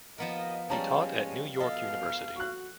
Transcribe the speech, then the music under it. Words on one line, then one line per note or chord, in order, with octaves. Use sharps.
He taught at New York University.
D#2 F3 B3 A#4 D#5
F3 G3 G#3 C#4 C#5 A5 A#5
B2 A4 D#5 F5
F#4 C#6 F#6